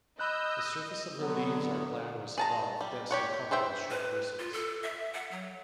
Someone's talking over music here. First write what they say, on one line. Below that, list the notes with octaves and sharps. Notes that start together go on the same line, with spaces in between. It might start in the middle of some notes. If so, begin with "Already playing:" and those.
The surface of the leaves are glabrous above, densely covered with short bristles.
D#5 B5 E6 F#6 G6
D3 F#3 B3
G#4 A5 A#5
G3
G4 C#5 F#5
E3 C5 E5 G5
B4
F4
A4
E5
F#5
F#3